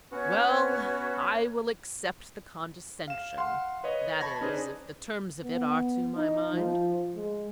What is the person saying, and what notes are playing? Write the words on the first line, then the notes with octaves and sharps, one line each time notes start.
"Well, I will accept the condescension--that is, if the terms of it are to my mind."
B3 C#4 F#4 B4 C#5
F5 E7
F5 F#5 C6 F6
B4 C#5 D#5
A5 B5 C#6 G#6 A#6
C#4 D#4 G#4 B4 C5 D5
B3
D#4
F3
G#3